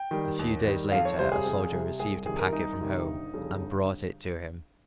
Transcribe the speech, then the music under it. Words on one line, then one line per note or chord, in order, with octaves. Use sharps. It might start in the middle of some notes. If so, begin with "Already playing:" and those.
A few days later a soldier received a packet from home and brought it to him.
Already playing: G5
D#3 G3
D#2
D#3 G3
F2 F5
C#5
C3 G3 C5
G#4
F2
C3 G3
C2 G#4
C3 D#3 G3 G#4
A#4
C2 D#4
C3 D#3 G3
G1
F2 C#3 G3
G1